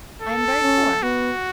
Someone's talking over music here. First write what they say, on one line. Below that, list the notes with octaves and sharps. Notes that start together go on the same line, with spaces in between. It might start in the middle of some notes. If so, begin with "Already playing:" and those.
I am very poor.
A4
C#4
B3 F#4